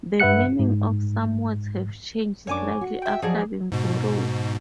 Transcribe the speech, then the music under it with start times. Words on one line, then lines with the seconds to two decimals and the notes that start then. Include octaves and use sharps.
The meaning of some words have changed slightly after being borrowed.
0.20 G2 B4 E5 F#5 F#6 C#7
0.59 G#2
2.47 F#2 D4 C#5 G#5 D6
2.81 F#4
3.02 E5 G5
3.22 F3 F#3 D#4 G#4 D5 A5
3.72 G#2 B2